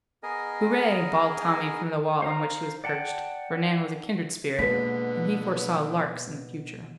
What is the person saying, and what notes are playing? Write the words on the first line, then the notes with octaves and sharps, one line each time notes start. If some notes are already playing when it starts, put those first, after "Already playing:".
"Hooray!" bawled Tommy from the wall on which he was perched, for Nan was a kindred spirit, and he foresaw "larks" in the future.
B3 G#4 A#4 D#5 G#5
C5 F5 A#5
D5 F#5 G5 A5
B2 D3 G#3 A#3 B3 B4 B6